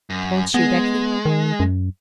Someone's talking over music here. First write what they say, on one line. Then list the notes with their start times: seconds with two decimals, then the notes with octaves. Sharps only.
Won't you, Becky?'
0.10 F#2
0.54 G#3 B3
1.25 D#3
1.60 F#2